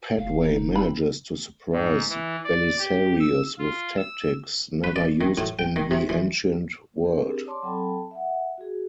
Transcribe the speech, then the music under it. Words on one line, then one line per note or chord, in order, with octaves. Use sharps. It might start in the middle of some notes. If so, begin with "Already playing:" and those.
Padway manages to surprise Belisarius with tactics never used in the ancient world.
F1 F5
D#4
C4 B5
G#2
E3
D5
G4
E6
F4
E6
B4
D5
D#3
A2
G5
D#3
C3
E3
B3 C4 D4 G4 G#4 A#4
C#5 D5 A5 C6 D6
F#3 C4 A4 G5 A5 B5
E5 F#5
F#4 G#4